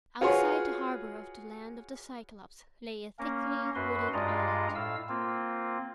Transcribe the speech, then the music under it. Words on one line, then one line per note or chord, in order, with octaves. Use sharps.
Outside the harbor of the Land of the Cyclopes lay a thickly wooded island.
F4 F#4 G#4 B4 C#5 C6
A#3 C#4 A#4
F#2 F#4 B4 C6
G2 G#3 F4 D5 D#5 A#5
A2 F5 E6
A#3 C4 F4